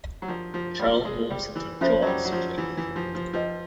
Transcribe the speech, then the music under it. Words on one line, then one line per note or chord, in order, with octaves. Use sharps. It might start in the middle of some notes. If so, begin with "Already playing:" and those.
Cheryl moves into George's place.
F#3
F3 D4 G4 A#4 D5 F#5
F3
G3
G#3
G3
E3
F3 C#4 F4 A4 C5 E5
F#3
G3
F#3
F3
E3
E3
F3
F3
F3 G4 B4 D#5 G5